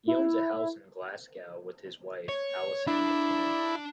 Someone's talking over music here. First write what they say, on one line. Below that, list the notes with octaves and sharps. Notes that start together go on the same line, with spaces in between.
He owns a house in Glasgow with his wife, Alison McKinnon.
E4
C#5
D4 E4